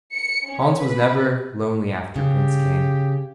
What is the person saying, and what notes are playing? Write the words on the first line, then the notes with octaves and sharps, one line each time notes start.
Hans was never lonely after Prince came.
C#7
C#4
B4
C#3 G4